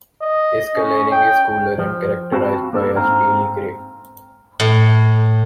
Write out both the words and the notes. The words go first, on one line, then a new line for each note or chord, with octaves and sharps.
His colouring is colder and characterized by a steely grey.
D#5
C#4
G5
F3
C4 F#4 F5 A5 B5
A#3 D4 A4
G#2 C4 F5 A#5
A2